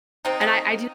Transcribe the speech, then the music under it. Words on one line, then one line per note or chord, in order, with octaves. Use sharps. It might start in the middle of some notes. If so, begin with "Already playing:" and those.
And I I do
C3 C4 D#4
D#3 A#3